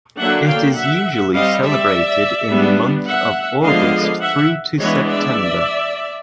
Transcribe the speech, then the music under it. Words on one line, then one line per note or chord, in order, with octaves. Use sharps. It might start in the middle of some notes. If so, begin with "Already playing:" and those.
It is usually celebrated in the month of August through to September.
D3 F#3 A#3 D4 E5 F#5
F5 G5
E5 F#5
G3 C4 D#5 F5
D5 E5
G3 B3 D4
E5 F#5
D3 F3 G#3 B3 D4 D#5 F5
E5 F#5
E3 G#3 B3 D4 C#5 D#5
D5 E5